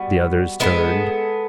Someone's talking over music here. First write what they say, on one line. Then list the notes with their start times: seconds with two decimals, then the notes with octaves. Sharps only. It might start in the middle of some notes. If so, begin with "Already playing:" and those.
The others turned.
Already playing: G3 B3 F#4
0.60 G#3 B3 E4 A4